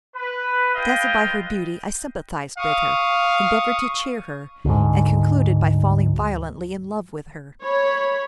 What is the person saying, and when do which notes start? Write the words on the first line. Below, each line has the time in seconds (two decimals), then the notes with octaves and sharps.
Dazzled by her beauty, I sympathised with her, endeavoured to cheer her, and concluded by falling violently in love with her.
0.15 B4
0.75 F4 B4 D#5 F5 G5
2.58 F5 C#6 D#6
4.65 D2 G#2
7.62 C#5 B5